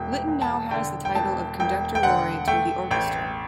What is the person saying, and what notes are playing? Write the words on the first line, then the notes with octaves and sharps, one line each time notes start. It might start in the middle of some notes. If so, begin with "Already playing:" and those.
Litton now has the title of conductor laureate with the orchestra.
Already playing: E1 G5
G5
E1
A5
D3 G5
G5
E1 A5
E1 G5
G5
D3 F#5
A3 G5
A1 G5